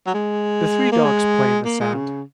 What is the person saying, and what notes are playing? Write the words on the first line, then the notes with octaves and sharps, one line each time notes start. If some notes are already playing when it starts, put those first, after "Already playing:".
The three dogs play in the sand.
F#3
G#3
A#3
G#3
A#3
G#3
C#3